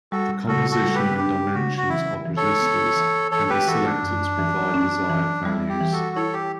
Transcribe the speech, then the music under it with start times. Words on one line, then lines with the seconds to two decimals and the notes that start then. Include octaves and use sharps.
The composition and dimensions of resistors can be selected to provide desired values.
0.12 G3 F#4 A4
0.47 C#3 F#4 A4
0.71 F#4 A4
0.83 G3
0.94 G4 B4
1.18 D4 G4
1.54 C#3 F#4
1.78 F#4
1.89 E3 E4
2.26 E3
2.37 A4 C#5
2.61 B3
2.96 E3
3.31 E3 A4 C#5
3.50 G4 B4
3.67 E3 F#4 A4
3.86 D4
4.03 F#2
4.38 E3
4.74 C#4
5.09 E3
5.44 G3 E4
5.69 G4
5.80 E3
5.93 F#4 A4
6.16 E4 A4 C#5
6.33 G4